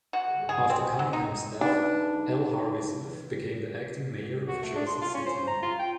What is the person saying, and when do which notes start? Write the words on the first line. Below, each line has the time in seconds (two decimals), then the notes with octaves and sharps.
After Cunningham's death, L. Harvey Smith became the acting mayor of Jersey City.
0.13 F#4
0.49 G#4
0.70 C4
0.99 F#3
1.13 D#4
1.61 D4 D#4 B4
4.48 F#4
4.63 A3
4.76 D4
4.87 C6
5.01 F4
5.14 C#4
5.27 C5
5.47 A#5
5.63 F4
5.79 G5